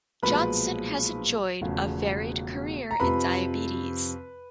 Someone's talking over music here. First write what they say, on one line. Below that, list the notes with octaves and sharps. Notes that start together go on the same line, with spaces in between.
Johnson has enjoyed a varied career in diabetes.
B1 A#2 F3 G#3 B4 B5
E1 E2 C#3 F3 A3
A#5
F2 C3 F3 B4 B5